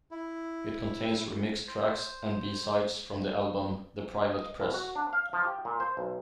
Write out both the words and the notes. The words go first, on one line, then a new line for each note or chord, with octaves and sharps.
It contains remixed tracks and b-sides from the album "The Private Press".
E4
C5
D#5
C2
F#4
D4
F5
F3
G4
A#2
C5
B1